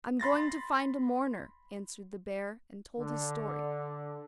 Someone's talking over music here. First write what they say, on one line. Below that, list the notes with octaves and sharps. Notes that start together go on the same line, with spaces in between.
'I am going to find a mourner,' answered the bear, and told his story.
B5 C6 A6 A#6
D3